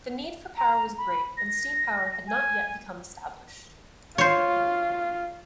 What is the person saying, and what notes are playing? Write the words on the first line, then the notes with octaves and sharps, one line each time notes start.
The need for power was great and steam power had not yet become established.
A#5
B5
A#6
G#5
F4 C5 C#5